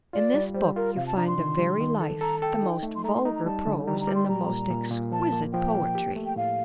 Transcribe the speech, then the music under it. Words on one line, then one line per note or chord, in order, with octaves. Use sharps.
In this book you find the very life; the most vulgar prose, and the most exquisite poetry.
F4 D5
G3
G3 C5
F4 A#4
C3 F5
A5
D4 A#5
C6
D#3
G3
D#3
A4
A4 A#5
A4 G5
D#4
A3
C6
A3 A#5
C6
D#4 A#5
A#5
G3 A5
D3
G3 A#5
A#5
G3
C6
A#2 A#5
A#2
A#2
A#2
F3 A5
A#3
F3 G5
A#3
G4
A3
G5
A2 F5